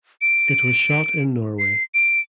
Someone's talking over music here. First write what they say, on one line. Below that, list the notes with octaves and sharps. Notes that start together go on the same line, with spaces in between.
It was shot in Norway.
D7
C7
D7